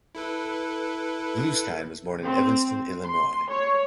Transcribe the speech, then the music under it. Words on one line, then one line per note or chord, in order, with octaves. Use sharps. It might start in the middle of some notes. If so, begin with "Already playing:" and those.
Bluestein was born in Evanston, Illinois.
E4 A4 B4
C4
C6
C#5